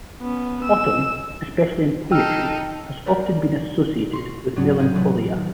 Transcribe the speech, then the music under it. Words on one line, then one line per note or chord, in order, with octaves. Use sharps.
Autumn, especially in poetry, has often been associated with melancholia.
B3 C#4
E6
D#4 A4 G5 E6 F6
F#4 G4 A#4 B4 D5
C6 C#6
G#2 F#3 B3 D4 F#4 G#4
A2 C3 D#4 G#4 G6
E3 F#3 A3 C#4 B4
D#3